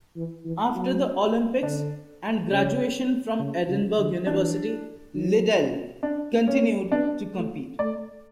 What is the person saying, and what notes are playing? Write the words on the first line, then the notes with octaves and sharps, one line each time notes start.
After the Olympics and graduation from Edinburgh University, Liddell continued to compete.
E3
E3
F#3
D3 D4
C#3 C#4
C#3
C#3
D3
E3 D4
F#3
D4
A3
C#4
A3
B3 D4
A3
A3 D5